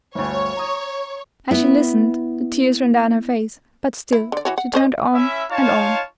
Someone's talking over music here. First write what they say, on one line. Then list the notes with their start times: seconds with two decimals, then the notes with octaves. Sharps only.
As she listened, the tears ran down her face, but still she turned on and on.
0.15 G1 D2 C#5
0.57 A#5 D#6
1.51 B3 E4
4.13 E4
4.32 D3 D5
4.45 E3 F#4 C#5
4.58 F#5
4.74 C#4 C5 D#5
5.13 C#4 E4 E5
5.50 D#4 F4 C#5 F5 A5